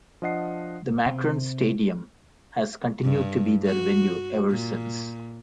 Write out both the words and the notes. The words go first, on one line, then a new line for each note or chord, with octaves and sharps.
The Macron Stadium has continued to be their venue ever since.
F3 D4 D#5 F#5 C7
C3
G2
F#4
A#2